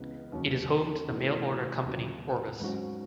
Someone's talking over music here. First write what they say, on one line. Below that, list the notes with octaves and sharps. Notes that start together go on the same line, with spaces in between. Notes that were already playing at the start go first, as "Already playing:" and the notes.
It is home to the mail-order company Orvis.
Already playing: C#2 C#3 E3 B3
D#2 C#3 F#3 C#4
A2 E3 B3 F#4
D#2 C#3 F#3
G#2 F#3 C#4 F#4